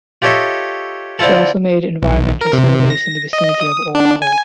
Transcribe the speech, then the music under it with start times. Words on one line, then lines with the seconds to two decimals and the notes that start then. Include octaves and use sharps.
She also made environmental surveys in the vicinity of Oahu.
0.22 F4 G4 A4 C#5 D#5 E5
1.19 D3 C4 E4 F4 A4
2.02 B1
2.41 A#4
2.53 C3
2.90 A#6
3.33 D#5
3.61 D#6
3.95 D4
4.22 G#5